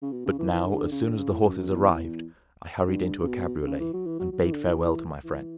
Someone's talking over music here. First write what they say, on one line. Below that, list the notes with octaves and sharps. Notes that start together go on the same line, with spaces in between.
But now, as soon as the horses arrived, I hurried into a cabriolet, and bade farewell to my friend.
C#3
B2
C#3
E3
E3
D3
D3
C#3
D3
C#3
A2
F#2
F#2
E2
G2
C#3
B2
D3
C#3
E3
F#3
E3
F#3
F#3
E3
D3
E3
E3